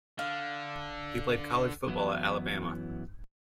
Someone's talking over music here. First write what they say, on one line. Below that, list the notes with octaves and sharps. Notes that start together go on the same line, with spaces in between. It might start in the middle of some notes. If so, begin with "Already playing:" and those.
He played college football at Alabama.
D3 F5
F#2 E3 F#3 B3 E4